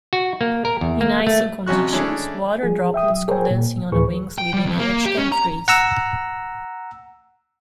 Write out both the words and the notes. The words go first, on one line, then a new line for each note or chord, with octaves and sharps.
In icing conditions, water droplets condensing on a wing's leading edge can freeze.
F#4
A#3
A#4
E2
A#3
A3
F2 C3 C#4 F#4 F#6
E3 G#3 A3 C#4 D4
F3 G#4
E5 G5 D#6
F#3
G#4 A#4 C5 C#5 G5 G#5
A#2
D2 A2 E3 G#4 B4 C#6
G5
G3
F2
A#3
G4
C#4
A#5
F#5 A#5 E6